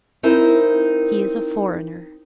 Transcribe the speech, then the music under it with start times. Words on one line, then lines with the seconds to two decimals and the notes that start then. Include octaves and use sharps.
"He is a foreigner."
0.23 C4 D#4 E4 A#4 C5